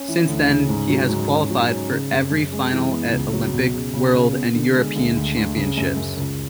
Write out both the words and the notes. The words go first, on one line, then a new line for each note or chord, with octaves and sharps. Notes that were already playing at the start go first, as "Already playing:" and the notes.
Since then he has qualified for every final at Olympic, World and European Championships.
Already playing: C#4
E3
D2
C#3
G#2
F#3
G#2
C#4
F#3
C#4
C#3
F#2
F#2
G#3
E3
B3
C#2
F#3
B2
C#3
C#3
C#3
B3
D3
G#3
D2
D2
D2
C#3
F#2
F#2
C#2